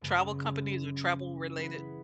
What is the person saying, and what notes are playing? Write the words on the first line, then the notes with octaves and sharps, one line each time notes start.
travel companies or travel-related?
F#2 C#3 G#3 B3
E3 B3 E4 G#4 B4